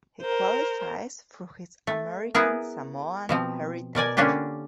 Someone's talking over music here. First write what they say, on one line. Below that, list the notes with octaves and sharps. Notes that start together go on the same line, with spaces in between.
He qualifies through his American Samoan heritage.
A#4 C5
A3
B3 E4 G#4 A#4
B2 F3 C4
B2 A#4 D5 G#5
D3 A#3 C#4 D4 F4 G4